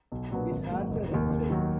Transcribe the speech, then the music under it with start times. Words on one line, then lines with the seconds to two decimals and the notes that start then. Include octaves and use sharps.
It has a red tail.
0.12 B1
0.31 A#2 F#3 B3 D4
0.51 G#1
0.71 G#2 F#3 A#3
0.91 F1
1.11 D#2 D#3
1.31 D#2
1.50 D#3 F#3